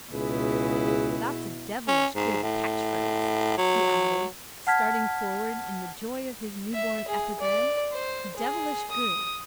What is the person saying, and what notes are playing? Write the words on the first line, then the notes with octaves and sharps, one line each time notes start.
That's a devilish good catch-phrase," he added, starting forward in the joy of his newborn epigram: "Devilish good.
C#2 B2 E4 G#4 B4
C#4
G#2
A2
F#3
F#5 A5 F6 G#6 B6
E5
G#4
D5
C5
G#4
D#6